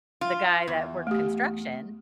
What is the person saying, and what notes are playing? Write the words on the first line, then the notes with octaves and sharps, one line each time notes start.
the guy that worked construction,
F4
E2
A3 G4